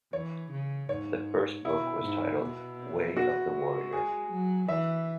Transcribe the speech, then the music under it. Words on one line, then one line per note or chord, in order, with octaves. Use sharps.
The first book was titled "Way of the Warrior".
E3 C#5
C#3
G#2 C#5
B2 E4
G#2
B2
B2 F#4
G#3
G#4
F#3
E3 E5